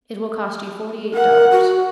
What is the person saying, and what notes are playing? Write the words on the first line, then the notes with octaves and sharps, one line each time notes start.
It will cost you forty-eight dollars.
A#4 F#5
F#4